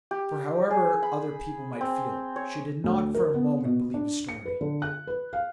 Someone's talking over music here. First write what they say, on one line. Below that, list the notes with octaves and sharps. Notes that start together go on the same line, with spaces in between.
For, however other people might feel, she did not for a moment believe his story.
G4
G#4
B5
C4
C#5
D2
A#4
B3
B2
D4
C#7
B4
D3
F#6
B4
F5